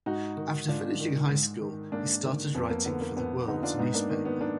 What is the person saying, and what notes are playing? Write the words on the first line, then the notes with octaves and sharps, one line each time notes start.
After finishing high school he started writing for "The World" newspaper.
G#2 D#4 F#4
D#3
G#2 D4 F4
D#3
G#2
D#3
G#2 A#3 D4
D#3
F2 B3
A#3
D3 B3
A#3
F2 B3
D3 B3 D#4
D4 F4
G#2 B3 D#4
A#3 D4
D#3 B3
B3
A#3 D4